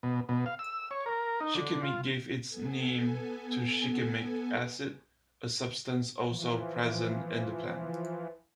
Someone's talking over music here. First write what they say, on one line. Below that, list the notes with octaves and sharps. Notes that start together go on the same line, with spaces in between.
"Shikimi" gave its name to shikimic acid, a substance also present in the plant.
B2
B2
F5
E6
C#5
A#4
D#4
D3
F4
B3 A4 G#5
E3 F3